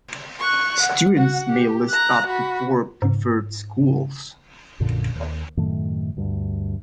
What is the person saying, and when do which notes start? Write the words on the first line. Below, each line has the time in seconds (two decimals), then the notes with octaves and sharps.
Students may list up to four preferred schools.
0.39 C#6 F#6
0.82 F#5
1.17 F#4 F#5
1.52 G4
1.89 A#5 F#6
2.27 F#4 B5
3.02 G#2
4.80 A#1 F#2 A#2 D3
5.15 D#2
5.57 F#2 A2 D#3 A3
6.17 D2 G2